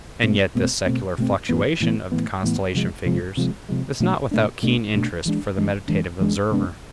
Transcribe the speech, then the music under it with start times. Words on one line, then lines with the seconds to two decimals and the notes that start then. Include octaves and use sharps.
And yet this secular fluctuation of the constellation figures is not without keen interest for the meditative observer.
0.23 B2 A3 C4
0.55 B2 A3 C4
0.86 B2 A3 C4
1.18 B2 A3 C4
1.49 A2 E3 B3
1.80 A2 E3 B3
2.12 A2 E3 B3
2.43 A2 E3 B3
2.75 C3 F3 G#3
3.06 C3 F3 G#3
3.37 C3 F3 G#3
3.69 C3 F3 G#3
4.00 B2 A3 D4
4.31 B2 A3 D4
4.63 B2 A3 D4
4.94 B2 A3 D4
5.26 E3 G#3 D4
5.57 E3 G#3 D4
5.88 E3 G#3 D4
6.20 E3 G#3 D4
6.51 C3 G#3 B3 D4